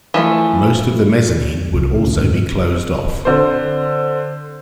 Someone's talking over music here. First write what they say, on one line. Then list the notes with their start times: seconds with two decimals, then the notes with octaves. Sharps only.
Most of the mezzanine would also be closed off.
0.14 E3 F3 A3
1.74 C2
1.98 D2 C#4
2.17 F#1 G#2
3.25 D3 C4 C5